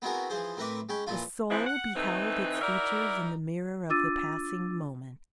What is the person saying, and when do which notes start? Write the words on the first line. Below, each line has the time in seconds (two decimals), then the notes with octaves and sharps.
The soul beheld its features in the mirror of the passing moment.
0.02 B3 C4 E4 F#4 G#4 A#4
0.30 E3 F3 G#4 C5
0.57 A2 C4 A#4 B4 E5 D6
0.89 G#3 C#4 G5 B5
1.07 A#2 E3 F3 E4 F4
1.50 G#2 E3 F3 G#3 C4 E4
1.67 F#5
1.95 D2 E3 A3 C4 D#4 B4
2.62 D#4 E4 F#4 A#4 D5 E5
3.89 D4 F4 D6 E6 A6 D#7